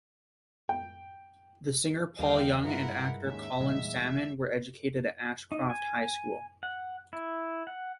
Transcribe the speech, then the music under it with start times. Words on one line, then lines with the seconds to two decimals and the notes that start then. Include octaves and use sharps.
The singer Paul Young and actor Colin Salmon were educated at Ashcroft High School.
0.69 G5
2.19 D#2 G3 A#3 D4 D#5 F5 G5
2.64 G2 G#3 E4 F4 A#4 B4 F#5
3.26 D#2 G#2 C#4 E5
3.60 E2 A#2 G3 G#3 D#4
5.52 D#4
5.70 G#5
6.63 F#5
7.13 E4
7.67 F#5